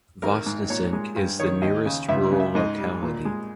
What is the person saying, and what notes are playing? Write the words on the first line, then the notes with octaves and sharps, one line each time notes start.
Voznesensk is the nearest rural locality.
G#1 A#4
G#2
A#2 C#5
G#3
G2
D#3 C#5
D#2 D#5
C#3
C#2 E5
C#3
E5
G#2 D#5
G3
A#2
G#3